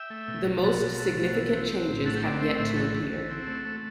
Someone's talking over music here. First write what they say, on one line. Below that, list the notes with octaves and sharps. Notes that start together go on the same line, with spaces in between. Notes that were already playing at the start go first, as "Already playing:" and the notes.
The most significant changes have yet to appear.
Already playing: E5 G5
A3
B2
B2
B2 F#5 A5
B2
A3
B2
E3
C4
C4
A2
A3 F#5 A5
G5
C4 D5 F#5
F#5
A3 C5 E5
A2 C5 E5
B4
E3 F#4 A4
E3
E3
C4
A3
A3